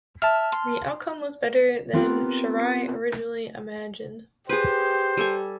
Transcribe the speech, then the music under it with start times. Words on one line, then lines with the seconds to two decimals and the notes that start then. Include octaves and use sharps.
The outcome was better than Shirai originally imagined.
0.22 E5 A5 F6
0.52 C6
1.93 B3 C4 F4 G4 A#4 B4
4.49 G4 G#4 B4 C5
5.17 G3 A4 G#5